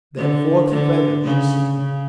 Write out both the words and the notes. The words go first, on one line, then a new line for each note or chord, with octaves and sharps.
"That fourth feather," she said.
D3
D3
C#3
C#3